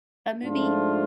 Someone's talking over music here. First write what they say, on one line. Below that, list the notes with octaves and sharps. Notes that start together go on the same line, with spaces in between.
a movie?
G#2 F3 A3 D4 F4